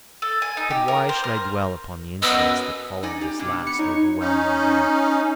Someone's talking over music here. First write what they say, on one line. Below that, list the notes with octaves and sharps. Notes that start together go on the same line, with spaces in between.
But why should I dwell upon the incidents that followed this last overwhelming event?
A4
G#5
D#4
G4
A#4
C5
A#4
F#2 B3 D#5 E6
D#4 D5 G#5
G4
B2 D4 G4
B3 C#7
D#4 C#5
C#4 D#4